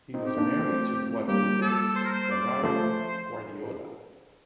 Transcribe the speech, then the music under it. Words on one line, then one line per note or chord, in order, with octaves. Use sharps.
He was married to Guadalupe Ferrari Guardiola.
C4 D#4
G4
A#3 D4
A3 C4
G3 A#3 G4
A4
C5
A#4
C5
D5
F3 A3 C5